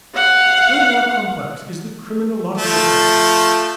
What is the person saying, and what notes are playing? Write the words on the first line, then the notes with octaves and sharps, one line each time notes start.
Still more complex is the criminological problem.
F5 F#5
F3 A3